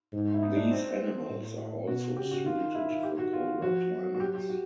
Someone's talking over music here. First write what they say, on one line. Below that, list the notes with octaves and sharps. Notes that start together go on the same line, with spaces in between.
These animals are also suited for colder climates.
G#2
E4
D#4
D4
C4
A2
B2 F#4
C#3 G4
F#4
D#3 F4
E4
F4
G4
F#4
F4
F3 F#4
F#3
F#4
G4
G4
F#4